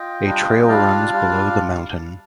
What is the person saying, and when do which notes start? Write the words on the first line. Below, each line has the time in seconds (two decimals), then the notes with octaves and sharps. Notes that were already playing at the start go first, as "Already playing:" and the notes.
A trail runs below the mountain.
Already playing: F4 D#5 G5
0.25 G3 D4 F4
0.68 G3 D4 F4 D5 F5
1.12 G3 D4 F4